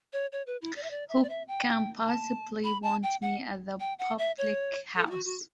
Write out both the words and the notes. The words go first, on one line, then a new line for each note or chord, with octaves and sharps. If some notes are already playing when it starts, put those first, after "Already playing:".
Who can possibly want me at the public-house?
C#5
C#5
B4
E4
D5
E5
D5
E5
D5
E5
G5
A5
B5
A5
G5
F#5
G5
F#5
E5
C#5
A4
E4
F#4
F#4